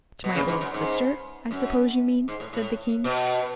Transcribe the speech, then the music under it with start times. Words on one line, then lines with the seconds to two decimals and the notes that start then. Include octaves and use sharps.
"To my old sister, I suppose you mean?" said the king.
0.24 B2
0.35 C#3
0.48 G#2
0.61 F#2
0.74 G#2
1.51 F#2
2.28 G#2
2.40 A2
2.53 A2
3.04 B2